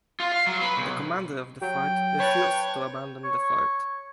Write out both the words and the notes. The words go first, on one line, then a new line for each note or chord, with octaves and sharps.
The commander of the fort refused to abandon the fort.
F4
F5
F#3
B4
B1
F#3 G5
B4 C#5 A5 F#6
C#5